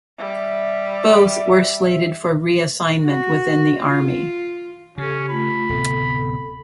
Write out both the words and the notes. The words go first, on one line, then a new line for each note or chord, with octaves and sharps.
Both were slated for reassignment within the Army.
G3 E5
F#4
F4
C#3 C#4 G4 A4
A3 F4 B5
D1 C3 B3 A4